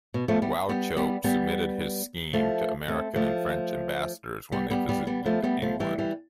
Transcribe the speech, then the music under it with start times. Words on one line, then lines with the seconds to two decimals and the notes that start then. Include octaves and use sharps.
Wauchope submitted his scheme to American and French ambassadors when they visited England.
0.14 B2
0.28 F3 A3
0.42 G3 B3
0.69 G3 B3
0.97 G3 B3
1.24 G3 B3
2.33 F3 A3
2.88 A3 C4
3.16 F3 A3
4.52 G3 B3
4.70 G3 B3
4.89 G3 B3
5.07 G3 B3
5.26 F3 A3
5.43 G3 B3
5.62 F3 A3
5.80 E3 G3
5.98 E3 G3